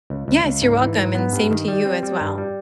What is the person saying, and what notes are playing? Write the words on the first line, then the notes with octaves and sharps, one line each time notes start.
Yes. You're welcome, and same to you as well.
C#2
C#2
C#2
G#2
E3
G#2
B3
G2
D#3
G3
C4
G3
G2
G3